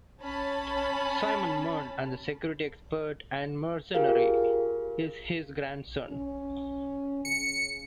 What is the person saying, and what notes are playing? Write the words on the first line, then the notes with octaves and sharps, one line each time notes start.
Simon Mann, the security expert and mercenary, is his grandson.
C#4 A5 B5
F4 G4 G#4 A#4 F5
C#4
C#3 C#7